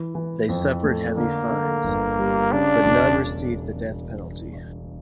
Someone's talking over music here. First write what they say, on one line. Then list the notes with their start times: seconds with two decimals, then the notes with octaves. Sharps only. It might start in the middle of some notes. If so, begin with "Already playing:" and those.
They suffered heavy fines, but none received the death penalty.
Already playing: E3
0.15 E3
0.49 F2
0.83 A3
1.17 D3 A#3
1.51 D3
1.84 G1
2.19 G3
2.52 C#3 D4
2.86 E1